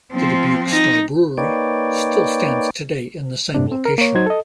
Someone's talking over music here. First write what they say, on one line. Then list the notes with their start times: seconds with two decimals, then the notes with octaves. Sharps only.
The Dubuque Star Brewery still stands today in the same location.
0.13 F3 C4
0.72 D#4 A#6
1.38 A#3 D#4 B4 C#5 D5 G5
3.54 G2 C3 D4
3.72 C4
3.85 A#4
3.98 A#3 C#5
4.15 F#3 D#4 F#4 C5 G#6
4.26 A4 D#5